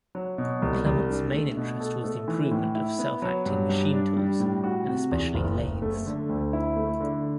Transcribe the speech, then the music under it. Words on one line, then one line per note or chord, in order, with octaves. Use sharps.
Clement's main interest was the improvement of self-acting machine tools, and especially lathes.
F#3
B2
C2
C2
D4
A3
B2
A4
A3
E3
A2
E4
B3
F#3
G2
G2
D4
G3
A2
F#4
C3
E2
F#1
F#1
A3
D3
D2
E4
A3
D3